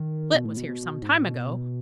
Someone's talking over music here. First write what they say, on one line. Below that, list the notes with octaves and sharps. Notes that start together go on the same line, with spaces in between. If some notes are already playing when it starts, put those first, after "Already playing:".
Split was here some time ago.
Already playing: D#3
B2
A2
B2
B2
G#2
A2
B2